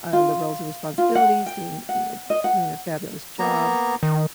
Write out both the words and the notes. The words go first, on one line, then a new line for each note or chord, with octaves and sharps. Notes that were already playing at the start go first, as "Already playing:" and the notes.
uh, the roles and responsibilities, doing ee uh doing a fabulous job,
F4
F4
F#5
G5
F#5
D#5
F#5
A#3 B3 A#5
D#3